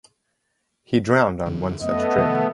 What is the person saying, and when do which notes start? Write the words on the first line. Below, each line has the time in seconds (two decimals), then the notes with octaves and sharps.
He drowned on one such trip.
1.46 F#2 D3 E3
1.81 F#2 A3 B3 D#5
2.18 C3 D#3 F3